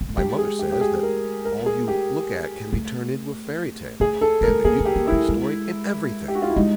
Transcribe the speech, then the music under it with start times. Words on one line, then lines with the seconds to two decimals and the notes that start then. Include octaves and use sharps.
"My mother says that all you look at can be turned into a fairy tale: and that you can find a story in everything."
0.01 A#3
0.09 A3
0.17 G#3 G4
0.38 G#4
0.59 G4
0.72 G4
0.81 G#4
1.03 A#4
1.45 A#4
1.66 G#4
1.88 G4
2.73 A3
4.00 A3 G#4
4.21 A4
4.41 A#3 A#4
4.48 A3
4.65 A#3 G#4
4.80 A3
4.85 G4
4.96 A#3
5.07 E4
5.12 A3
5.28 G#3
6.28 G4
6.35 F#4
6.42 F4
6.49 E4
6.56 G#3 D#4